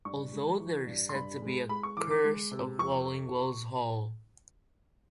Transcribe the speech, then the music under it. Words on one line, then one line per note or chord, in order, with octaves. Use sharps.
Although there is said to be a "Curse of Wallingwells Hall".
G2 C#6
G#3
E3
G2
C6
G2 B5
G#3
G#3 B5
C#6
E3 D6
D6
G#3
C3
F2 C#6